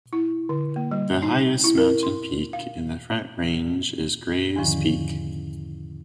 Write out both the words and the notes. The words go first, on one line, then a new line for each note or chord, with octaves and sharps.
The highest mountain peak in the Front Range is Grays Peak.
E4
D3
A#3
G3
D#4
E4
A#4
C6
F5
E2 G#2 D3 D#3 F3 C#4